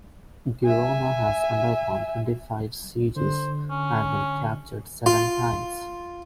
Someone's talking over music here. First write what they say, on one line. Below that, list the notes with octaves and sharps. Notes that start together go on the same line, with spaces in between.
Girona has undergone twenty-five sieges and been captured seven times.
E5 G#5
D3 C5
C#4
F4